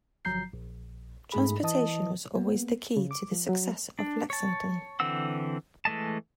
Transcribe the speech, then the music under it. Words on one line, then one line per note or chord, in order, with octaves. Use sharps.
Transportation was always the key to the success of Lexington.
G1 F3 F#3 A#5 G6 C7
A#1
G#2 A3 G#4 B5
E3 D#5 A5 D#6
A#3 B3
C#3
D6
F3
F#3
D4
C#5 A5
D3 E3 C4 F#5 E6
E3 G#3 A3 D#5 A5